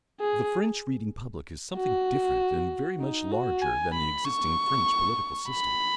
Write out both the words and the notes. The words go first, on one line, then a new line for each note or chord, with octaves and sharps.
The French reading public is something different and very much larger than the existing French political system.
G#4
F#4
D#4
F#4
G#5
B5
C#6
B5